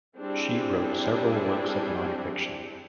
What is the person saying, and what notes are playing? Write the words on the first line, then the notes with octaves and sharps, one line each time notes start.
She wrote several works of non-fiction.
G3 C4 D4 E4 G#4